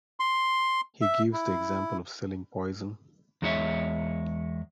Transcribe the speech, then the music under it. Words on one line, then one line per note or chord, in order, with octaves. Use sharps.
He gives the example of selling poison.
C6
E5
E4
E2 G#3 A#3 D#4 C#5 E5